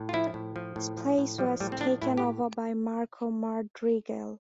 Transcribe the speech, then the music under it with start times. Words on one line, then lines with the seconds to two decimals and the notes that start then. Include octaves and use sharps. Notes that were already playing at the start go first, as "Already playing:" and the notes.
His place was taken over by Marco Madrigal.
Already playing: A2
0.09 F4
0.13 F3 E4
0.34 A2
0.56 F3
0.76 A2
0.97 F3
1.18 A2
1.38 F3 G3
1.60 A2 G3
1.72 C4
1.81 F3 D4
2.02 A2 E4
2.17 G4